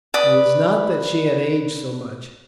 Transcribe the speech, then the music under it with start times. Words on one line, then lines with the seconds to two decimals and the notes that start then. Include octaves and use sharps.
It was not that she had aged so much.
0.14 B4 D5 D#6